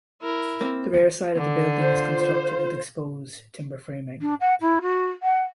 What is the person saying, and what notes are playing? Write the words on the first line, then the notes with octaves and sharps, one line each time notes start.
The rear side of the building is constructed with exposed timber framing.
E4 A#4
A#3 C4
D3
F4 C5
D4
F#5
E4
F#4
F#5